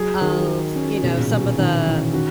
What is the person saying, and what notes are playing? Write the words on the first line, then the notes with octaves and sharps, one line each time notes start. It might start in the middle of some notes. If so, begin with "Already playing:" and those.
of, you know, some of the
Already playing: F#3 G#4
D#3 F#3
G#4
C#4
B2 G#4
A#2
B2 C#4
D#3 C#4
E3 C#4
D#3 F#4